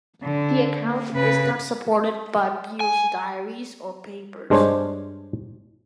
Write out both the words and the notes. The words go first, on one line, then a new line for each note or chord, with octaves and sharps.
The account is not supported by Beale's diaries or papers.
D3
A#3
C#3 B4
G#5
G2 G#3 D4 C5 C#5